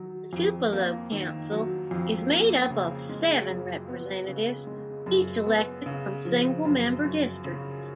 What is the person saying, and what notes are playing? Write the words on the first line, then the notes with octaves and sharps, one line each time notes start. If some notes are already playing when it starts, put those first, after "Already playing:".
The Tupelo Council is made up of seven representatives, each elected from single-member districts.
Already playing: D#3 F#3
F2
A#3
D#3
F#3
F2
A#3
C#3
G#3
F#2
B3
C#3
G#3
F#2
B3
C#3
F3
F#2
F#2
C#3